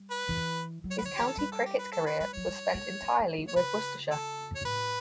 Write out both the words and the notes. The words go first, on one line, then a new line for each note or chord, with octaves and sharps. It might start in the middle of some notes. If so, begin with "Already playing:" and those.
His county cricket career was spent entirely with Worcestershire.
Already playing: G3
B4
E3
F#3
C#5
B4
D3 C#5
E3 G4
A4
G3 B4
A4
G4
B4
A4
B4
G3 B4
F#3 C#5
G3
A3
B3
A3
B3
C#5
C#3 B4
A4
C#5
A2 B4